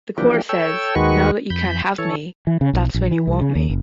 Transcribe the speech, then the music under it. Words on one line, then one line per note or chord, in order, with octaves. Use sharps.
The chorus says Now that you can't have me, that's when you want me.
E3 F3 A#3 D4 G4
A4 C#5 G5 E6
D#2 D#3 G#3 F#4 B4 C#6
F2 B5 G6
E3 A4 C#5
E3
C#3
B1
A#1
E3
C2
C#3
D#2
F#1